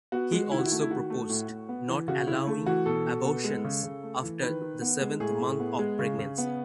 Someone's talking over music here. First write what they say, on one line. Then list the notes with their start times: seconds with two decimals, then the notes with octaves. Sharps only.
He also proposed not allowing abortions after the seventh month of pregnancy.
0.12 B3 F#4
0.32 G#3
0.51 D#3 E4
0.59 F#4
0.66 E4
0.72 A3 F#4
0.81 E4
0.90 D#3 F#4
1.10 A3
1.29 A2
1.49 A2
1.69 B3
1.89 E3
2.08 C#3 F#4
2.27 C#3 E4
2.47 A3
2.66 E3 F#4
2.86 B2 A4
3.06 B2
3.25 B3
3.44 G#3
3.64 C#3
3.83 C#3
4.03 A3
4.23 E3
4.43 D#3 B4
4.62 D#3
4.82 B3
5.01 G#3
5.20 A2 G#4
5.40 A2
5.60 B3
5.79 G#3
5.99 C#3
6.19 C#3
6.38 B3